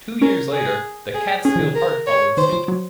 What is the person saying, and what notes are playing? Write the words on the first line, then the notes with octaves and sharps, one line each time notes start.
Two years later, the Catskill Park followed suit.
C#4 A#4
G#4
G#4
C#4 G#4
F3
D#3
A#4
C#5
D#3 C5
F3
F#3